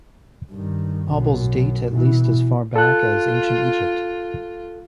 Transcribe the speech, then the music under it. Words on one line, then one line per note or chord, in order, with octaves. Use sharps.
Hobbles date at least as far back as Ancient Egypt.
G2 D#3
B1 F#2
B2 E3
F4 A4 F#6